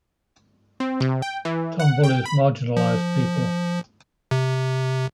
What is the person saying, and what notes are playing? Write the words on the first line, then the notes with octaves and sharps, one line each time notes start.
Tom bullies marginalized people.
C4
C3
G5
E3
F#5
G5
B5
F3
C3